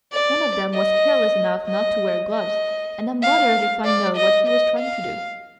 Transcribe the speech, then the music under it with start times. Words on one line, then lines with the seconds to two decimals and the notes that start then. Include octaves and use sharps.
One of them was careless enough not to wear gloves, and I'm bothered if I know what he was trying to do.
0.13 D5
0.74 D#5
1.68 D#5
2.31 D#5
3.23 F5
3.85 D5
4.17 D#5
4.48 D#5
4.79 F5